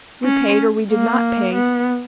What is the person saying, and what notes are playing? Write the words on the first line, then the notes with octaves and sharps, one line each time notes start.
We paid or we did not pay.
C#4
A#3
B3